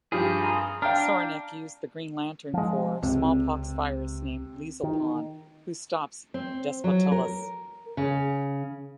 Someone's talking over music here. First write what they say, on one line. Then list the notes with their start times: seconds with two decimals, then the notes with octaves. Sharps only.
Soranik used the Green Lantern Corps smallpox virus named Leezle Pon, who stops Despotellis.
0.12 G2 F3 G4 G#4
0.43 A#5 C6
0.82 D4 F5 G5 A#5 F6
2.54 F3 G#3
3.03 C#2 C3
4.83 D#3
6.34 C4
6.84 F#3
7.12 A#4
7.97 C#3